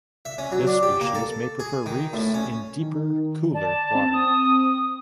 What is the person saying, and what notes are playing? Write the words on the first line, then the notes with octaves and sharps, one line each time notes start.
This species may prefer reefs in deeper cooler water.
E5
C#4
F#3
D4
G4
A#3
A4
G#4
D#3
A2
C#4
D#3
D5 A5
C4
D#6